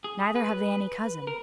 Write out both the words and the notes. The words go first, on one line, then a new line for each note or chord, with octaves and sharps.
Neither have they any cousin.
G#4
B4
A#4